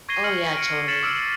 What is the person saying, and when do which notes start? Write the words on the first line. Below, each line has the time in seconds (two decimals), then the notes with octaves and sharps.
Oh, yeah, totally.
0.09 C#6 G#6 A#6 C7 D#7 G7
0.24 F6 C#7 F#7
0.57 C#7 D7
0.88 F6 A6 B6 C#7 E7 F#7
1.03 D6 E6 F6 C7 D7